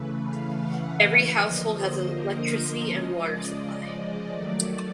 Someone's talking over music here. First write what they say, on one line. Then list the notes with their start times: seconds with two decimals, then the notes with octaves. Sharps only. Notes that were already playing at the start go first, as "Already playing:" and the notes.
Every household has electricity and water supply.
Already playing: C#3 E3 A3 B4
0.22 F5
0.59 F#5
1.33 D3 F3 A#3 D#5
1.70 C5
2.08 A#4
2.83 C#3 F3 G#3 D#5
3.21 D5
4.32 D#3 F#3 A3 D5